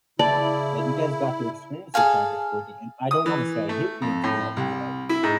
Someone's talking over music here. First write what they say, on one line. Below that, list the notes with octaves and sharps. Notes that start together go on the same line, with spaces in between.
that you guys got to experience the time before the in I don't wanna say I hate the internet, but
C#3 E4 D5 A5
G#4 A4 F5 G#5
D#6
E3
A3
F2
A2
C2
E4
G#2